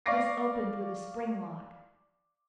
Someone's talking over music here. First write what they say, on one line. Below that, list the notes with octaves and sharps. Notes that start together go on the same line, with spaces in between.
This opened with a spring lock.
D5 F5 C#6 D6 A#6 C7